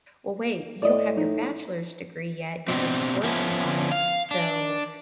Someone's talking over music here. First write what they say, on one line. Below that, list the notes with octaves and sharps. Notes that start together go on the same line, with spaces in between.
"Well, wait, you don't have your bachelor's degree yet, you're just working on it, so
A2 D5 D#5
D#4
B2 C4 D4
F3 B3 C#4 E4
F5
D4